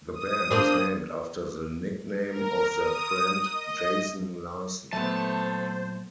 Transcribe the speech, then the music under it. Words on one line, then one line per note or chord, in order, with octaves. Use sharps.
The band is named after the nickname of their friend, Jason Larsen.
D#6
A#3 C4 D4
A#4
D#6
D#5
A#2 F#3 A3 B3 C5 E5 A5